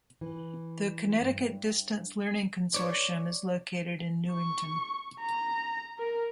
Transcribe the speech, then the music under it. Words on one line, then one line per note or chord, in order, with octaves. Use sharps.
The Connecticut Distance Learning Consortium is located in Newington.
E3
G2
C#5 D5
C#6
A#5
A#4